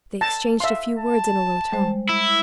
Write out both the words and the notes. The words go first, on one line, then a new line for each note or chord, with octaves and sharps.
They exchanged a few words in a low tone.
A5 A6 A#6
E5 F5 C6
A5
G3 G#3 C5
E4 E6